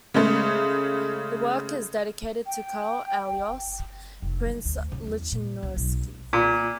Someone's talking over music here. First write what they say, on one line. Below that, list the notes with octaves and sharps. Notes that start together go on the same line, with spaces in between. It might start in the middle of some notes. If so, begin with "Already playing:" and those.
The work is dedicated to Karl Alois, Prince Lichnowsky.
C#3 G#3 A3
G5
F1
G#3
D2
C#3
E2
A#2
C#2
B1
A#2